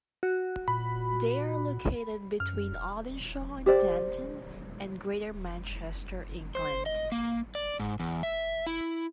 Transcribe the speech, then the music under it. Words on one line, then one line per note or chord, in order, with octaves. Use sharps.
They are located between Audenshaw and Denton, in Greater Manchester, England.
F#4
A#2 B5
F#2 F6
G4 C5 D5
C5
D#5
A#3
D5
G#2
E2
E5
E4